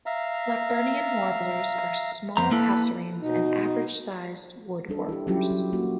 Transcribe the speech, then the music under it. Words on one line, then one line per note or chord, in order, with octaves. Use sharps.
Blackburnian warblers are small passerines and average-sized wood-warblers.
E5 F5 A#5
F2 C5 A#5
A#3 E4 A4 B4
B2 D#4
G3 D4 A4
E4 G4
F#3 G3 C#4 E4 F4 G4
F#3
A#3 F#4